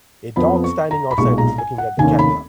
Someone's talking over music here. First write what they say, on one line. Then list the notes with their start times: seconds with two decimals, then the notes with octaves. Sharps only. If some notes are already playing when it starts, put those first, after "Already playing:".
A dog standing outside is looking at the camera.
0.36 F2 F3 B3 B5
0.64 C#6
0.91 A#5
1.11 B5
1.18 B1 A#2 G#3 C#6
1.38 A#5
1.58 G#5
1.78 F#5
1.98 F1 D#2 D#3 A#3 C#4 G#5
2.19 B5